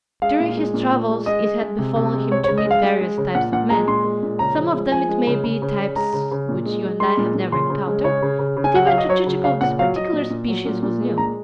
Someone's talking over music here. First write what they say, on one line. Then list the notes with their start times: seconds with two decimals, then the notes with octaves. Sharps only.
During his travels it had befallen him to meet various types of men--some of them, it may be, types which you and I have never encountered; but even to Chichikov this particular species was new.
0.22 G#3 F5
0.40 A#2
0.57 G#3
0.74 A#2
0.92 A#2
1.09 G#3
1.26 G#3 D#5
1.44 G#3
1.61 G#3
1.78 C3
1.96 C3
2.13 G#3
2.31 G#3 C#5
2.44 C#5
2.48 C#3
2.58 D#5
2.65 G#3
2.71 F5
2.83 G#3
3.01 G#3
3.18 C#3
3.35 A#2 F#5
3.52 A#2 F#5
3.70 G#3 A#5
3.88 A#2 C6
4.04 G#3
4.23 A#2
4.39 C#3 A#5
4.57 F3
4.74 G#3
4.91 F3 G#5
5.09 G#3
5.27 C#3
5.44 C#3
5.62 C#3
5.79 C#3
5.96 G#3 A#5
6.13 C#3
6.31 C#3
6.49 A#2
6.66 G#3
6.84 G#3
7.00 G#3 C6
7.17 A#2
7.35 A#2
7.52 C#3 C6
7.70 C#3
7.87 G#3
8.04 C#3 C#5
8.22 C#3
8.39 C#3
8.57 C#3
8.64 G#5
8.74 F#3 F#5
8.87 F#3 F5
8.98 D#5
9.09 F#3 C#5
9.26 C#3
9.44 C#3 F5
9.61 A#2 F#5
9.79 F#3 F5
9.96 F#3 D#5
10.13 A#2
10.30 A#2
10.48 F#3
10.65 A#2
10.83 A#2
11.00 G#3
11.18 A#2 A#5